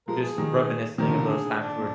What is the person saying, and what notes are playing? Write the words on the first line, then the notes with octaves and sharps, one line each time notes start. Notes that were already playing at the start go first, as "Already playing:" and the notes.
just reminiscing of those times were
F3 G#3 A#4
G#4
D#3 G3
C3 D#3 A#4
D3 F3
A#2 D3
G#4
D4
A#2